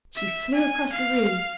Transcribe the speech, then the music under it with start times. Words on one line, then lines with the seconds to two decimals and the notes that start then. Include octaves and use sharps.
She flew across the room.
0.16 E5
0.54 G#5
0.92 F5